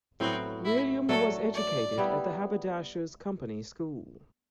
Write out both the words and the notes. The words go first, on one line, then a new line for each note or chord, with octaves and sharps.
William was educated at the Haberdashers' Company School.
A2 F#3 B3 C4 F#4
E4
F#3 A3 D4 A4
D5
G3 B3 E4 G4